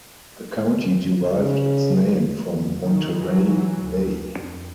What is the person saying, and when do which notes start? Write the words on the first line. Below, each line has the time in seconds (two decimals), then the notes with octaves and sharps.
The county derived its name from Monterey Bay.
1.34 C#3
2.85 D#3
3.21 E3 F#3
3.84 D2
4.33 F2